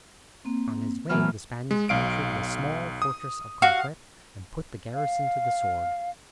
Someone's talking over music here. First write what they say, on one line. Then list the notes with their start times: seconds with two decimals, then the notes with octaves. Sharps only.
On his way the Spaniard captured the small fortress of Conquet and put the garrison to the sword.
0.45 A#3 C4
1.09 F#2 E3 A3 B3 F6
1.71 G#3
1.89 B1 F5 D7
3.02 D#6
3.62 F#4 F5
4.93 F5